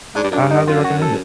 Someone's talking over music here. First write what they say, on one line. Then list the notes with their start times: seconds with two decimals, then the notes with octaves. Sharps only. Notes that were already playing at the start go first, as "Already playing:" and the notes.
I highly recommend it.
0.15 G#2 D4
0.23 G2
0.31 F#2 D4
0.39 G2
0.50 D#4
0.67 F#2 F4
0.84 F#4
1.01 A4